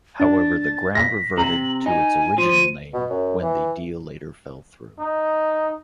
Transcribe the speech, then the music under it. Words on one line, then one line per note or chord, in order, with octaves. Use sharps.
However, the ground reverted to its original name when the deal later fell through.
D4 A6
A#6 B6
C3 A#5 F#7
D#4 G#5
F3 D#7
B2
F#2
E3
D#4